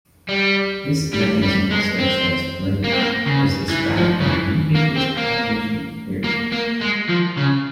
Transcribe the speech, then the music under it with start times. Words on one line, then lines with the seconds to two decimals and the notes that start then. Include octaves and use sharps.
This mechanism also extends to language, as described in the Communication Accommodation Theory.
0.29 G3
1.13 G3
1.43 G3
1.71 G#3
1.99 C4
2.84 A#3
2.92 C4
3.00 A#3
3.26 C#3
3.69 E3
3.97 F3
4.20 C#3
4.26 E3
4.75 A#3
4.97 C4
5.17 A#3
6.24 A#3
6.52 A#3
6.81 G#3
7.09 F3
7.37 C#3